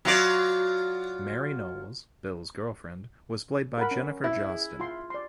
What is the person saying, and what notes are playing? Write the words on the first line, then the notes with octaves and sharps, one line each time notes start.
Mary Knowles, Bill's girlfriend, was played by Jennifer Jostyn.
F#3 F4 D5
A#4 F#5 B5
C#4
E4
G#4
F4 C6
D5 C6